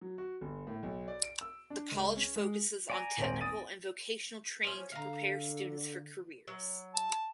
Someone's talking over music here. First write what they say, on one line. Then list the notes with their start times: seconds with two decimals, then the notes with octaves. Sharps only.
The college focuses on technical and vocational training to prepare students for careers.
0.01 F#3
0.18 F#4
0.41 G1
0.67 A2
0.83 B1
1.08 D5
1.24 D7
1.41 E6
1.70 D4
1.92 C#2
2.17 C#4
2.36 G#3
2.90 D5 G#5 A#5
3.17 D#1 G#1 C5
3.41 D#6 A6 D#7
4.64 F3 C#4
4.92 D3 F5 A#5
6.48 F#3
6.94 A5